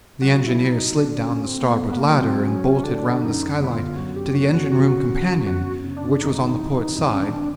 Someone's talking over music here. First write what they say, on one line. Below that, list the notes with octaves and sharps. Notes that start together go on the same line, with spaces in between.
The engineer slid down the starboard ladder and bolted round the skylight to the engine-room companion which was on the port side.
F#3 F#4
E4
F#3
D#4
D3 D4
C#4
A3
C4
A#3
A3 B3
B3
A#3
F#3
C4
F#3 C#4
D3 D4
F#2 D#4
G1 E4
F4
F#3 F#4
G4
C#3 F#4
F#4
C#3 F#4
C#3
F#2 F#4
C#3
D4
G#1 D#4
E3
G#1 D#4
C#4
D4